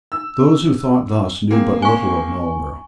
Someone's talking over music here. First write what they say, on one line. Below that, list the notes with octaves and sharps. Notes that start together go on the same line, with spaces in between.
Those who thought thus knew but little of Marlborough.
E6
A#3 C4 G#4
G#5 C#6